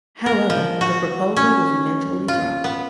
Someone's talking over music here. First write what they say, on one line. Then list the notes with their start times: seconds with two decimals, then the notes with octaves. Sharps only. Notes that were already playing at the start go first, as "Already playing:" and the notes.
However, the proposal was eventually dropped.
0.26 A#4
0.50 F3
0.81 F#4
1.36 C#4
2.28 F4
2.64 B3